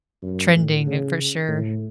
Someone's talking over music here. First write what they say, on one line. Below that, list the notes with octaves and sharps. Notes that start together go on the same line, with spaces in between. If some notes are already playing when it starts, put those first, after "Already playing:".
trending, uh, for sure.
F#2
A2
C#3
A2